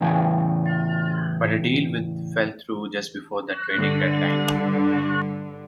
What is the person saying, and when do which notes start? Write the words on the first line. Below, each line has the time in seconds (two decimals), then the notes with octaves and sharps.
But a deal with fell through just before the trading deadline.
0.01 E2 A2 C#3 E3 G5 G#5
3.76 G2 D3